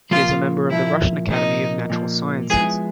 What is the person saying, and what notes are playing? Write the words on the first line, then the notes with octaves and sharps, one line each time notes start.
He is a member of the Russian Academy of Natural Sciences.
A#2 F3 A#3 F4
A#2 F3 A#3 E4
A#2 F3 A#3 D#4
A#2 F3 A#3
F3 G#3 B3 E4 G#4